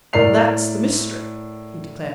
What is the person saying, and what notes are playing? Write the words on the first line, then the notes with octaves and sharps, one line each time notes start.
"That's the mystery," he declared.
A2 A#4 D5 C7 F7